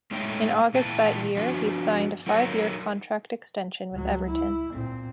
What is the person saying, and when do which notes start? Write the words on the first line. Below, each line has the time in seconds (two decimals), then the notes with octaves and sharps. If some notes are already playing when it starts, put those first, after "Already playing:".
In August that year, he signed a five-year contract extension with Everton.
0.11 A2 G#3 D#4 C#5 E5 G5
0.74 A#2 E3 G5 A5
1.36 F3 D4 F#4
2.27 F#3 D#4 A#4 C#5
3.93 C#2 F#3
4.28 E4
4.73 A#2 C4